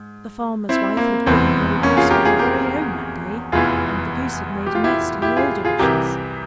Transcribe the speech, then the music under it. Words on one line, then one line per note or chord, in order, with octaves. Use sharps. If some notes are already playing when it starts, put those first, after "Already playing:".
The farmer's wife had given her a goose for her very own that day, and the goose had made a nest in the alder bushes.
Already playing: G#2
C4 E4
A#3
F1 E2 E3 C4
A#3 C#4
F4 G#4
G4 A#4
F4 G#4
G4 A#4
F1 E2 E3 F4 G#4
G4
F4
E4 G4
E4 G4
F4 G#4
F4 G#4
C2 C3 E3 G4 A#4